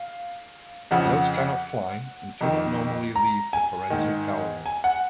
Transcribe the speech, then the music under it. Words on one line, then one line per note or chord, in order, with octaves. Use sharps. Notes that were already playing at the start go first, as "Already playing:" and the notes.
Males cannot fly and do not normally leave the parental gallery.
Already playing: F5
F2 C#3 F3 F#5
F2 D#3
A#5
G#5
G#2 D#3
G#5
F#5